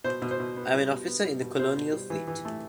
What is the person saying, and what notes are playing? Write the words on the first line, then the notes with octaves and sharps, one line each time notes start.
I'm an officer in the Colonial Fleet.
B2 C5
B2
C5
B2
B3
G3
B2
B3
G3
B2
B2 C5
B2
G3
E3
E3
A3